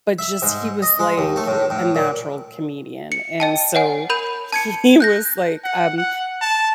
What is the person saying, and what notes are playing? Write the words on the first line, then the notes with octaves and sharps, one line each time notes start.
but just he was, like, eh, a natural comedian, and, so he was, like, um
E5
G#2
D#5
G#3
D#2
A3
A2
A2
A#2
C#7
D#5 G5 A5
C#5 F#5 G#5
A#4 B5 G6 D#7
A5 G#6 C#7
F#6 G6 A#6
F#5
F#5
A5